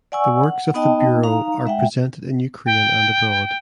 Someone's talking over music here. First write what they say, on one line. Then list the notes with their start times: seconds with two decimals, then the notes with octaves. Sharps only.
The works of the bureau are presented in Ukraine and abroad.
0.12 D5 F#5 G#5 C#6 E6
0.44 F#5
0.74 B3 D#4 D#5 G5 A5
1.23 D#4 F5 A#5
1.66 G#3 E5 F#5 G5
2.66 G5